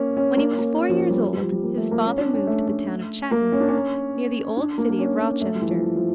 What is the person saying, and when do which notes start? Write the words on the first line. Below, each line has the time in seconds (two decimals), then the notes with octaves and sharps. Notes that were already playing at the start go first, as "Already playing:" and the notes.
When he was four years old, his father moved to the town of Chatham, near the old city of Rochester.
Already playing: A#3 C#4
0.17 C#4
0.37 A#3
0.52 C#4
0.58 A#3
0.79 C#4
0.89 F3
1.00 F3
1.11 G3
1.33 G3
1.43 F3
1.52 G3
1.63 A#3
1.78 A3
1.91 A#3
2.05 C#4
2.19 D4
2.33 C#4
2.47 A3
2.68 A3
3.31 A#3
3.52 C#4
3.60 D4
3.68 C#4
4.57 D4
4.78 A#3
4.90 A#3
4.99 C#4
5.20 C#4
5.41 A3
5.55 G3
5.61 E3
5.69 F3
5.83 E3
5.96 F3